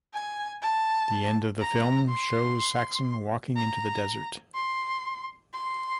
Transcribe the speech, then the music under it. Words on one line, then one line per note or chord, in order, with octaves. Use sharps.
The end of the film shows Saxon walking into the desert.
G#5
A5
A#5
C6
A#5
C6
C6